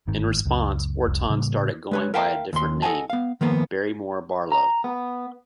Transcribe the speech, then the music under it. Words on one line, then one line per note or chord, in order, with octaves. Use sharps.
In response, Orton started going by a different name, Barrymore Barlow.
G1 G#2 D#3
C#2 F#2
F1 C2
A2 C#3 G3 A#3
G#3 B4 C#5
A#4 E5 F5 G5 A5 A#5
D#2 C6
A4 D#5 E5 F#5 G#5 A5
B3 F5
D#3 F3 A#3 B3
A#5
B3